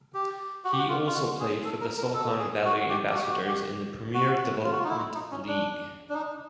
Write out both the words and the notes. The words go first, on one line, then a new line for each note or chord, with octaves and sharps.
He also played for the Silicon Valley Ambassadors in the Premier Development League.
G4
F#4
G4
F#4
F4
F4
F#4
G#4
A4
A#4
A#4
A4
G#4
F#4
G4
G4
F#4
G4
F#4
G4
F#4
F4
F#4
F4
D#4
E4
D#4
C#4
D4
D4
D#4